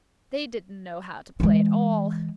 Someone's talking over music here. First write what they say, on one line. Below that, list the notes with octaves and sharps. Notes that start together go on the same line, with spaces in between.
They didn't know how to play at all.
E3 G#3